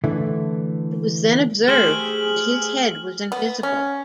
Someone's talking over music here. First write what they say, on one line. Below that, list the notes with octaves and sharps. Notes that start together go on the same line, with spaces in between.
It was then observed that his head was invisible.
D3 E3 A3 E4
A3 G4 G#4 C5 F6 F#7
B3
C#4